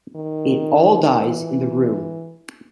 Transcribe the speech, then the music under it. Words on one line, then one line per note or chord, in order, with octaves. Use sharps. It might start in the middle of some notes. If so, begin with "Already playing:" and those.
It all dies in the room.
D#3
E3